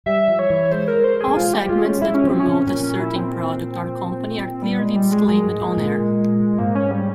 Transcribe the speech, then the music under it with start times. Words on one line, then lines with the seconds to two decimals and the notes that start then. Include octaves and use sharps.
All segments that promote a certain product or company are clearly disclaimed on air.
0.06 G3 E5
0.28 F3
0.39 C#5
0.50 E3
0.72 G#3 C5
0.88 A#4
1.04 C5
1.21 G#4
1.28 A#3
1.37 G#3 F4
1.53 G4
1.69 G#3 F4
1.85 C#4
2.01 G#3 E4
2.14 C#4
2.24 F3 C4
2.40 C#4
2.46 C#3
2.67 A#2 C#4
2.83 C#4
3.00 E4
3.16 C4
4.62 G3
4.79 G#3
4.95 G3
5.12 G#3
5.28 A#2 G#3
5.44 G#2
5.60 A#2
5.77 A#2
6.58 G#2 A#3
6.75 C#4
6.91 G3